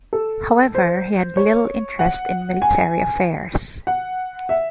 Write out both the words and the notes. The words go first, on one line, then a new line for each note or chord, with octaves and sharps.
However, he had little interest in military affairs.
A4
C5
C#5
F#5
G#5
F#5
E5